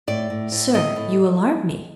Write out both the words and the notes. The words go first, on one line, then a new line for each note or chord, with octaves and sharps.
"Sir, you alarm me."
A2 D5
A2
A2
A2 D#5
A2